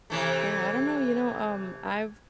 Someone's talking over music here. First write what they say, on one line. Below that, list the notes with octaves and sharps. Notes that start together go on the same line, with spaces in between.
Yeah, I don't know, you know, um, I've
C3 E3 A3